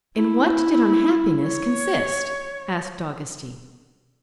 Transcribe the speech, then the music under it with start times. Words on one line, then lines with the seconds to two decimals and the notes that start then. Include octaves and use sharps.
"In what did unhappiness consist?" asked Augustine.
0.16 E4
1.44 C#5